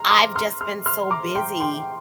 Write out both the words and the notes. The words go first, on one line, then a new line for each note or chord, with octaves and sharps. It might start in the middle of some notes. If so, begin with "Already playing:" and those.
I've just been so busy,
Already playing: A#5 C6 F6
A#5 D6
C6 F6
C6 F6
C6 F6
A#5 D6
G5 C6
G5 C6